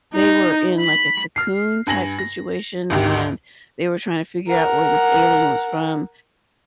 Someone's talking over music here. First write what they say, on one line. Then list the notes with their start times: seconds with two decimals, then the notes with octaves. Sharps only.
they were in, like, a Cocoon type situation, and they were trying to figure out where this alien was from,
0.14 D#4
0.81 B5
1.36 F6 C7
1.87 G2 G#5 A#6 F#7
2.19 A#6
2.90 G#1 D2 G#2 G4
4.48 A#4 F#5